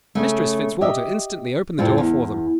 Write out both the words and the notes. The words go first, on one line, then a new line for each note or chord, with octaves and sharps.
Mistress Fitzwalter instantly opened the door for them.
C#3 A3
G4 D#5 E5
F2 A2 C4 F4
E2